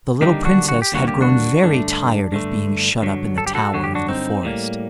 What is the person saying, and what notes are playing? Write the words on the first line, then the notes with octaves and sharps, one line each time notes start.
The little princess had grown very tired of being shut up in the tower of the forest.
D#2 D3 G3 A#3 D#4 G4
D4 F#4
F#4
G4
D#2 D3 G3 A#3 F#4
G4
D4 F#4
G2 D3 A3 D4
G2 D3 A3
G2 D3 F#3
A4
G4
F#4 A4
G2 D3 F#3 F#4
G4
D4 F#4
C4 D#4
A2 G3 A#3